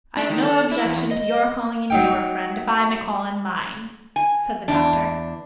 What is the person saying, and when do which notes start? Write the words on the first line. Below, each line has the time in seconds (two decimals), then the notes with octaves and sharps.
'I have no objection to your calling in your friend if I may call in mine,' said the doctor.
0.17 D4
0.30 D#3
0.43 A4
0.71 E4
0.85 E2
1.11 D#5
1.90 F#3 D#4 G5
4.16 G#5
4.68 E2 D4